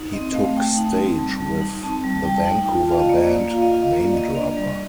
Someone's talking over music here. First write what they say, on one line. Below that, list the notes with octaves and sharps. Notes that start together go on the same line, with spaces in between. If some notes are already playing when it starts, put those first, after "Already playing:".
He took stage with the Vancouver band Namedropper.
Already playing: D#4
C4 D#5
A3 F5
A3 G5
D#4 A5
C4
G3
G3
D#4
C4 A5
G3
A5
G3 G5
D#4
G5
F4 A5
F4 F5
D#5
A#3 D5
A#3
F4 F5
D#5
F4 F5
A#3 D#5
D5
A#3 D#5
D4 D5
G3
D#5